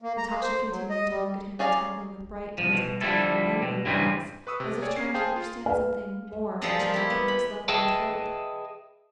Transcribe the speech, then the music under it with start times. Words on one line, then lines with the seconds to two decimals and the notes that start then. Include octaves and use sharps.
Natasha continued to look at him intently with bright, attentive, and animated eyes, as if trying to understand something more which he had perhaps left untold.
0.02 A#3
0.18 A#5
0.30 A#3
0.42 C5
0.70 F#3
0.90 D#5
1.09 G3
1.59 C#4 G#4 D5 F5 A#5
2.58 C2 G#2 F3
2.73 B2
3.01 D3 F3 G3 G#3 E4 A4
3.62 B2
3.86 G2 C#3 E3 G3 B3 C4
4.47 B4 C#6 D#6 E6
4.60 C3
4.82 G#4 C#5 D5
4.96 C#4 C7
5.14 G#4 C5 F5 G5 A5
5.36 F4
5.66 B4 F5
6.61 F3 G3 G#3 D#4 A4 D#5
6.79 A#3 F4
6.94 E4 G4
7.10 B3
7.28 B5
7.68 G#4 B4 D#5 E5 G5 A5